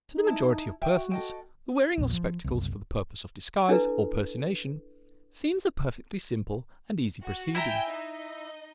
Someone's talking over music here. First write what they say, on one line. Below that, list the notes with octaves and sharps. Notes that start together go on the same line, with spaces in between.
To the majority of persons, the wearing of spectacles for the purpose of disguise or personation, seems a perfectly simple and easy proceeding.
D#4
E4 A5
F#4 E5 G5
A4 D#5 G5
A#1 E2 A#2
F3
F#1 C2
D4 E4 A4 B4
F#4
E4 E5 G5 G#5 A#5
D#4 D#5